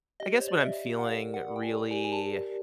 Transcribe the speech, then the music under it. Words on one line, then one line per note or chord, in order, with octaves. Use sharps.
I guess when I'm feeling really
G4 D#5
C5
C#5
D5
D#5
D5 E5
F#5
A#4 F5
F#5
D5
G5
G#5
G4 G#5
G#5
A5
A#4